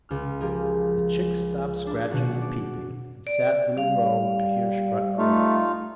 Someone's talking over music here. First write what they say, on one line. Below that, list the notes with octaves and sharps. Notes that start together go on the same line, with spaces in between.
The chicks stopped scratching and peeping, and sat in a row to hear Strut crow.
C#2 F6
F3 G4 G#4 A#4 D#5
D4
B2 D#3 F#3 C#4 D4 F#4
D5
D5
G3 F5
A3 D#4 F4